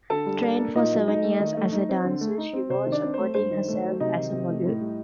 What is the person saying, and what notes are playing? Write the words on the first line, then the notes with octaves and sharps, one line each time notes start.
Trained for seven years as a dancer, she was supporting herself as a model.
D3 A4 A5
G3
D4
A#3
A#2 D#4 D#5
F#3
D#4 D#5
A3
D#3
A3
D#4
C4
D3
A3
D#4
C4
C3 C5
D#3
D4 D5
C4
A3 C5
G2 C5
D#3
A3
F#3
C3 D#4 D#5
D#3
C3
A3
A2
G3